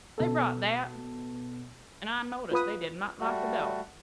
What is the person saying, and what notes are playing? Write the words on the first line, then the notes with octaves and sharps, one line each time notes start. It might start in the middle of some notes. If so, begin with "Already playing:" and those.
They brought that, and I noticed they did not lock the door.
B2 A4
F4 B4 D#6
G3 A3 F#4